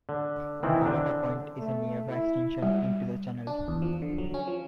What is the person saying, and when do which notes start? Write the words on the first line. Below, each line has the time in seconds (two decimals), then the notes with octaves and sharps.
Goleta Point is a nearby extension into the channel.
0.09 D3
0.63 D#3 E3 C4 E4
0.85 D3 D4
1.59 A3
2.10 E4
2.62 G3
3.47 D4
3.68 E2
3.82 F3
4.02 D3
4.18 F#3
4.34 C#4
4.47 F3